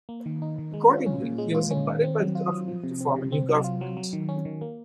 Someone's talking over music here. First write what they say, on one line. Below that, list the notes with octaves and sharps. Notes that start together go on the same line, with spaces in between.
Accordingly, he was invited by the governor to form a new government.
A#3
D#3
D#4
D#3
G#3
F4
C#4
A#2
G#3
F4
C#4
D#3
C4
F#3
F4
F#3
F3
C3
C4
C3
C4
F#3
F4
F#3
F#3
D#3
C#4
D#3
A#3